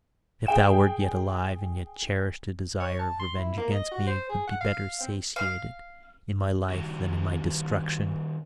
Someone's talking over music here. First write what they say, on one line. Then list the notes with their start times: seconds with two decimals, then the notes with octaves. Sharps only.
If thou wert yet alive and yet cherished a desire of revenge against me, it would be better satiated in my life than in my destruction.
0.47 G#4 G5 E7
2.80 C#5
2.99 A5
3.19 C6
3.37 E4
3.57 A#3
3.72 D#5
3.91 F#4
4.07 C5
4.29 G#4
4.47 F#5
4.61 F5
5.00 C4
5.36 F5
6.70 D#3 G3 F#4